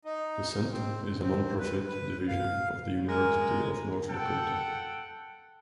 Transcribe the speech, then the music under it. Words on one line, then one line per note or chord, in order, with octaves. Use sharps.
The center is a nonprofit division of the University of North Dakota.
D#4
C4
C4
B4
B4
F5
G#3 A#4
A4 F#5 G5